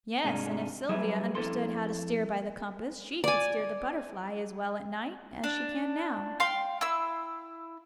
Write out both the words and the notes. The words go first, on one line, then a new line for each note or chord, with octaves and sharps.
"Yes, and if Sylvia understood how to steer by the compass she could steer the Butterfly as well at night as she can now."
G#2 C3 G#3 D4 D#4 F4
F#3 G3 G#4 B4 E5
F2 C#3 E4 A4 C6
D5 G#5
D4
F5 G5 C6
E4 E6